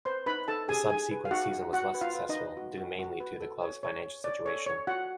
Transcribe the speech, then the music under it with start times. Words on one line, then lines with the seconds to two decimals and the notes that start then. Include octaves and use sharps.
The subsequent season was less successful, due mainly to the club's financial situation.
0.05 B4 C5 C6
0.26 D#4 B4 B5
0.48 D#4 A4 A5
0.68 G4 G#4 G#5
0.89 D#4 G#4 G#5
1.11 B4
1.25 F5
1.31 D#4 F#4 F#5
1.52 D#4
1.73 F#4 F#5
1.94 B4
2.01 F4 F5
2.15 B4
2.29 D#4 D#5
2.36 B4
2.57 F#4
2.78 F#4
2.99 F#4
3.20 B4
3.40 A4
3.61 C#5
3.83 C#5
4.03 C#5
4.24 C#5 D5
4.46 A4 C#5
4.67 C#5
4.87 F4 F#4 F#5